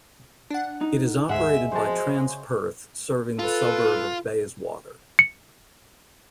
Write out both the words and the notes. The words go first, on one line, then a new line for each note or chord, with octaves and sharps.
It is operated by Transperth serving the suburb of Bayswater.
D4 F#5
D#4
D2 G#2 G#3 G#4 E5 F#5
F2 G#3 F#4 C5 A5
C#3
F4 A4 B4
C#7